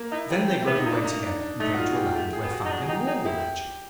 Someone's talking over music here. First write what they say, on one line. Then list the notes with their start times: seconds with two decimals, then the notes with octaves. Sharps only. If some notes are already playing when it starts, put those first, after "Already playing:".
Then they rode away together, and came to a land where famine and war were raging.
Already playing: A#3
0.11 D#4 E4
0.30 D4 G4
0.49 C4
0.62 B3 E4
0.76 D#4
0.86 A#3
0.91 D4
1.04 A#3 D#4
1.23 D4
1.42 D4
1.60 A3 D#4
1.74 F#4
1.77 F4
1.92 G#4
1.96 G4
2.15 A3 G4
2.33 G#4
2.42 B3
2.51 F#4
2.65 D#4
2.70 D4
2.80 G#4
2.88 D#4 G4
3.07 D#4 G#4
3.25 E4 G4